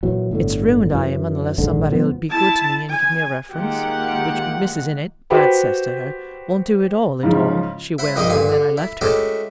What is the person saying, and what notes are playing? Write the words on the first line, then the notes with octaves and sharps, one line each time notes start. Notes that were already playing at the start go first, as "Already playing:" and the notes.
"It's ruined I am unless somebody'll be good to me and give me a riference, which Mrs. Innitt, bad cess to her, won't do, at all, at all," she wailed, and then I left her.
A#2 E3 F#3
G1 A2 D3
F#2 E3
A#1 D#2 G#2 D3
E1 F3 B3
E4 A5
G#5
D#3 G#3 A#3 F4 G4 F#5
F#4 G4 B4 C5 G5 B5
G#2 C#3 F3
E4 C5 F#5 B5
A#1 G2 A#3 D#4 B4 D#5
G2 A#2 D3 G#5
D3
E4
G#3 A3 C#4 E4 F#4 G4